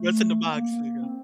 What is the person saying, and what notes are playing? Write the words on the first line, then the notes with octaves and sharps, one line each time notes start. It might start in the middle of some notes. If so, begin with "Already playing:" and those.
"What's in the box?" like a
Already playing: A3
A#3
A#3
A#3
C4